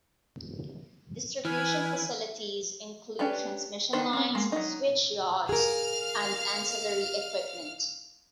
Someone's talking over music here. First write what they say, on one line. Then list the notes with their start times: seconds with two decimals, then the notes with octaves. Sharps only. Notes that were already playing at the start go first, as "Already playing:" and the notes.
Distribution facilities include transmission lines, switchyards and ancillary equipment.
1.45 E3 E4 B4 G#5 F6
3.19 C#4 D4 G4 B4
3.93 D#3 D4 B4 C5
4.13 C4 C#4
4.35 G#3 A#3
4.52 F#3 D#4
5.49 G#4 A#4 F5 F6